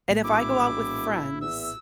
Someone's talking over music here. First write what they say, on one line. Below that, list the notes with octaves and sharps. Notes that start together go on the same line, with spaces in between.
and if I go out with friends,
A#1 A2 A#3
E1 E4 D6
E2 E5 E6